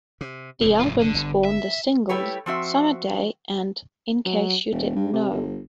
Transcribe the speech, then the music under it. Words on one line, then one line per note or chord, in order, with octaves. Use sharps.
The album spawned the singles "Summer Day" and "In Case You Didn't Know".
C3
F1 E2 A2
G#2 F4
D3
G1
E5
G3 A3 E4 G4 B4 C#5
F3 C4 F#4 E5
F#3
E1
G2
C3
G1